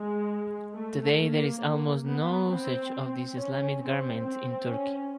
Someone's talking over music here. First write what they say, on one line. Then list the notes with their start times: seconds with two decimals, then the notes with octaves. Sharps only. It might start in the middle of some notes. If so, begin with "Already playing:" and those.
Today there is almost no usage of this Islamic garment in Turkey.
Already playing: G#3
0.74 A3
1.18 A#3
2.05 B3
2.48 C4
3.36 C#4
3.80 C4
4.23 C4
4.67 C#4